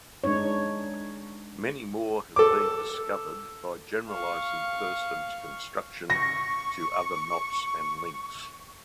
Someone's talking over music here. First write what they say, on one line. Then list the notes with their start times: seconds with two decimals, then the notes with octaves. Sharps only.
Many more have been discovered by generalizing Thurston's construction to other knots and links.
0.24 G#3 D4 D#4 C#5
2.36 A4 D6
4.10 F5 C#6
6.10 C#6 A#6